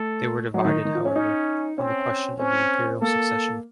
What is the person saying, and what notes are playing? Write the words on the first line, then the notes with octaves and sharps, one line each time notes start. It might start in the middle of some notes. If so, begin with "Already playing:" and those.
They were divided, however, on the question of the Imperial succession.
Already playing: A3 A4
F#3 D#4
D#3
D#3
F3
C#4
C#4 D#4
C4 C#4
C4 C#4
A#3 A4